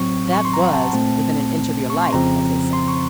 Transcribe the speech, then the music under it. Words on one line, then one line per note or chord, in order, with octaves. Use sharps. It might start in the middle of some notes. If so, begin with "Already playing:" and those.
That was 'within an inch of your life,' as they say.
Already playing: A2 F#3 C4 C#6
C#6
C6
A#5
F#5
A5
A#2 A3 C4
C#6
C6
F2 C#3 F3 C4 A#5
C6
C#6